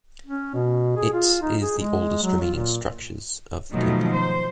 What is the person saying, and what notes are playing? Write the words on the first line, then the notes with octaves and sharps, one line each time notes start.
It is the oldest remaining structures of the temple.
C#4
B2
G#4
F4
D#4
G#4
G#3
F#3
F4
A#2
B2 D#3 F3 F#3 A3
C5